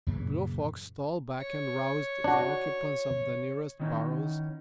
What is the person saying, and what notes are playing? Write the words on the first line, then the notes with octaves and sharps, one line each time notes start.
Blue Fox stole back and roused the occupants of the nearest burrows.
F#2 A#2 C#3 E3
C#5
D4 F#4
D#3 E3 C#4 D#4